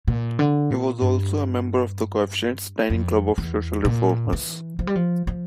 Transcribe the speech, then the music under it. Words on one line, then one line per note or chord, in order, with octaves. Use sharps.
He was also a member of the Coefficients dining club of social reformers.
A#2
D3
A#2
G2
F2
E2
A#2
E3
F3
G3
F3
F3